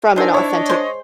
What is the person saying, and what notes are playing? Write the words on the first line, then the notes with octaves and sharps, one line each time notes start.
from an authentic
D4 D#4 A#4 C5 G#5 E6
E4 C#5
D#5
G#3 C5 C6